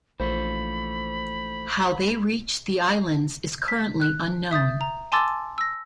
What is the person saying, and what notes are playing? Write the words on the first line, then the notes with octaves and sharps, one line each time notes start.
How they reached the islands is currently unknown.
A#1 E3 A3 F4 C5 B5
B6
F#6
E5 D#6 G6 A6
A#5
G#5 A5 C6 D6 E6 A6
E6 A#6